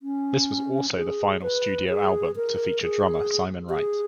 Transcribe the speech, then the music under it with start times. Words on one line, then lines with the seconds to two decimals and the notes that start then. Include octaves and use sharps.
This was also the final studio album to feature drummer Simon Wright.
0.02 C#4
0.96 G#4
1.42 B4
1.89 G#4
2.36 A#4
2.82 G#4
3.69 G4
3.76 G#4